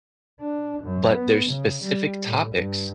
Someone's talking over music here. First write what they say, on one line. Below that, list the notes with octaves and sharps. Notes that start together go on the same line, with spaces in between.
but there's specific topics,
D4
F#2
B3
C#3
G3
A2
G2